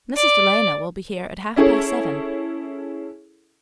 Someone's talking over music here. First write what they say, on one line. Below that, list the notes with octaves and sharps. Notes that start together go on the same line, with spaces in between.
Mrs. Delano will be here at half past seven.
D5
C#4 E4 G#4 A4 C#5